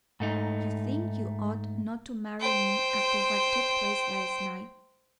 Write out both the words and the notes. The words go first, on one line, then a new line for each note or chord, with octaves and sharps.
You think you ought not to marry me after what took place last night.
G#2 A3 D#4
C5 G5